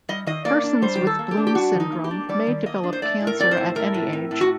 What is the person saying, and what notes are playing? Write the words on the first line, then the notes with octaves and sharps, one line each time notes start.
Persons with Bloom syndrome may develop cancer at any age.
G3 D#5
D#3 D#5
A#3 D5
D4
G3 C5
G4
D#3
A4
A#3
G4
D4
G4
G3 F#4
D#3
D#4
A#3
G4
D4
G3 D5
D#3
A#3 D#5
D4
C5
A3 D5
A2
A#4
C4 D5
C5
A2
A3 A#4
A2
C4
A2
F#4